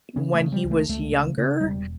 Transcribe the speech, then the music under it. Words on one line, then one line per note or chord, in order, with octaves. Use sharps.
when he was younger,
C#3 C#4
A3
C#3
G3
C#2
A3
C#2 A3
C#3
C#3
E1 G3